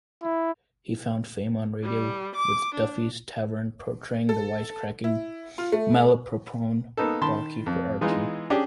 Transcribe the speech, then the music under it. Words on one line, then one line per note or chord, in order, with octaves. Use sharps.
He found fame on radio with "Duffy's Tavern", portraying the wisecracking, malaprop-prone barkeeper Archie.
E4
G3
D6
D4
A4
E4
F4
A3
A#3 B3 D#4 A4
D#3 A5 B5 C6
F2
E3 G#3 B3 D#4 F4
C#4 D4 G4 G#4 D5